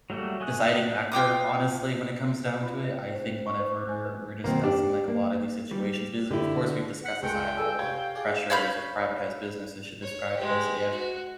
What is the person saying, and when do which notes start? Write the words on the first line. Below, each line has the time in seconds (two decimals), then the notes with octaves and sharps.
deciding factor, honestly, when it comes down to it. I think whenever we're discussing, like, a lot of these situations, be of course we've discussed societal pressures, if privatized businesses should describe this, if
0.10 F#3 G3 A3 A#3 F#4
0.40 A3 G#5 D#6 F#6
0.66 A4 D#5 F#5
1.12 F4 G5 D6 D#6
2.46 B4
2.63 F4
2.84 E5
2.97 G5
3.11 C5
3.25 C#4
3.46 C#6
3.60 C5
3.76 D6
3.89 G#5
4.05 B4
4.44 B2 D#3 A#3 C4
4.64 D4 G4
5.08 A#3
5.71 G3
6.30 D3 E4 G4
7.04 F#5
7.22 C#2 G#3 A3 A#4 G5 C#7
7.58 A4 G#5 E6
7.79 C3 C#4 F5 G#6
8.15 F4 G#4 D5
8.50 C#5 F5 B5 G6
10.02 C#5
10.37 G#3 G4
10.90 F#4